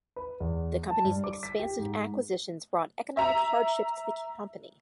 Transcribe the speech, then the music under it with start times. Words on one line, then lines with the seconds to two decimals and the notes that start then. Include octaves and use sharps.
The company's expansive acquisitions brought economic hardship to the company.
0.16 B4
0.40 E2
0.90 A5
1.04 G2
1.24 D6
1.43 B6
1.60 G4
1.79 G#2
3.17 E5 A#5